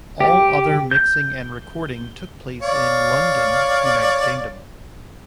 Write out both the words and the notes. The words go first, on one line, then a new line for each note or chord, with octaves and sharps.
All other mixing and recording took place in London, United Kingdom.
G4
G6
C#5 D5 F5